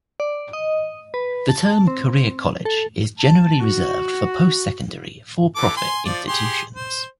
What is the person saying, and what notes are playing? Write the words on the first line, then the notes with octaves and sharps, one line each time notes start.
The term "career college" is generally reserved for post-secondary for-profit institutions.
D5
D#5
B4
A5
C4
A4
A5
F#4
E3 A4 D6
G#5 C6
F3 D5
G4 G#4 C6
C5